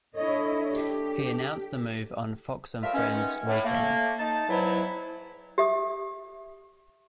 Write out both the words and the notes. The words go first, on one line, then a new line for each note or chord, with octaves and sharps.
He announced the move on "Fox and Friends Weekend".
D4 E4 A4 C#5 D#5
G4
F3 G3 A3 F4 A#4 E5
D#3 E3 G#3 B3 C#4
A2
A3 A#3
D#4 A5
E2 G#2 F#3 E4
G4 E5 D#6